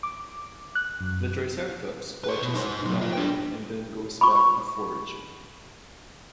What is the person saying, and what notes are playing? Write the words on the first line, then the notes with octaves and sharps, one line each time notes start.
The "Triceratops" watches it die and then goes back to foraging.
D6
F#6
F#2
B4 C#5
B2
D#4 C5
B2 F#3
A#3 F4
D4 G5
B5 C#6